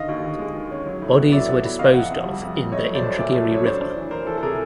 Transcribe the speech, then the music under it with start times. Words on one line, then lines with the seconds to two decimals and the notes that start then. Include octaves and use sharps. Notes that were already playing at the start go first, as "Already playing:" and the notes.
Bodies were disposed of in the Indragiri River.
Already playing: D3 D#3 D#5 F5
0.08 D#2
0.24 D#2
0.39 G#3
0.54 D#3
0.71 C#4
0.86 F#3
1.02 A2
1.17 B3
1.32 F#3 D5 E5
1.48 B3
1.64 B3
1.79 C3 D#5 F5
1.94 F2 E5 F#5
2.11 F2
2.25 G3
2.42 F2
2.56 F2
2.72 A3 C#5 D#5
2.88 F#3
2.95 C5 D5
3.02 C2
3.18 A#2 D5 E5
3.34 A3
3.50 F#3 C#5
3.65 D4 C5 D5
3.81 D4
3.95 E3
4.11 E3 A#4 C5
4.27 E3 A4
4.38 A4
4.42 C3 G#4 A#4